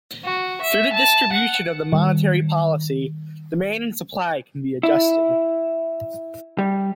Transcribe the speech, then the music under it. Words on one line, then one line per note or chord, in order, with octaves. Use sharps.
Through the distribution of the monetary policy, demand and supply can be adjusted.
F#4
E5
A5
F#5
D#3 G3
E4
G3